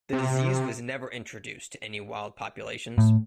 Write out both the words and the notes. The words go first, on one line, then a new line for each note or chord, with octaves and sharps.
The disease was never introduced to any wild populations.
C3
A2